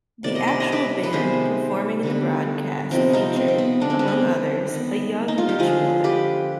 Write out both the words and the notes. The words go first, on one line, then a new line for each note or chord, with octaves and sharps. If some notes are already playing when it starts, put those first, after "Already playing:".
The actual band performing in the broadcast featured, among others, a young Mitch Miller.
C3 D#3 B3 D5
D#5
D5
D#5
B4 D5
B4
C3 D#3 G#3 B3 G#4 C5
D3 G3 B3
C3 F3 B3 C4 D#4
C4 D#4
C4
C4
B3
D3 G#3 B3 D4
C4
B3
C4
D#3 B3
D#4
F4
G4
D3 F3 G#3 F4 G#4
G4 B4